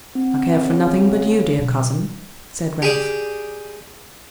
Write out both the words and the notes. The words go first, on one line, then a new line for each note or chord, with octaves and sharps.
"I care for nothing but you, dear cousin," said Ralph.
C4
C#3
B2 F#3
G4 G#4 D5